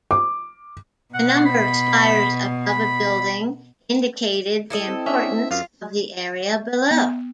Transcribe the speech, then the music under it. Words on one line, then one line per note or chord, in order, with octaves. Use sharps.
The number of spires above a building indicated the importance of the area below.
D6
B2 F#5
B5
B5
E4 A4 D#5
C4
C#4 D4 E5
F#2 F4 F5
B3